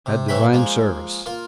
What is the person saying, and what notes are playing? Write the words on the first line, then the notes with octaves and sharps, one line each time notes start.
Had Divine Service.
C3
A2 E3 F#3 C4 E5 B5
F3 G#3 A#3
A#3 F4